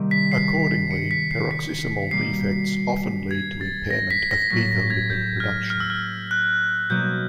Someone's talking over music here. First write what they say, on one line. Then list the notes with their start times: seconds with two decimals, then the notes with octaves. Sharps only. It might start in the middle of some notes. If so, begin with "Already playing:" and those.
Accordingly, peroxisomal defects often lead to impairment of ether-lipid production.
Already playing: C3 D#3 G3 A#3 D#4
0.11 B6
0.32 C7
0.91 C#7
1.11 B6
1.31 C7
1.51 B6
2.11 B2 G3 A#3 C7
3.31 G#6
3.61 A6
3.91 A#6
4.10 B6
4.31 A#6
4.50 A2 F#3 A#3 B6
4.71 A#6
4.90 G#6
5.10 G6
5.40 F6
5.70 F6
5.80 E6
5.90 F6
6.31 F#6
6.90 B2 F#3 A#3 D#4 G6